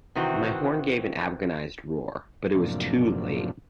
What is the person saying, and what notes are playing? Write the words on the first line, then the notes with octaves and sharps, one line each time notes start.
My horn gave an agonised roar, but it was too late.
C3 D#3 E3 C4 F#4
F#2 A2 C3 F3 A#3 D4